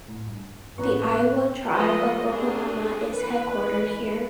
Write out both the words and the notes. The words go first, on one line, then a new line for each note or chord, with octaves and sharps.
The Iowa Tribe of Oklahoma is headquartered here.
A2
G2
A1 B3 B4 A#5 C#6
F3 G#3 A3 A4 B4 D#5
A3 C4 D4 G4 G#4
E3 B4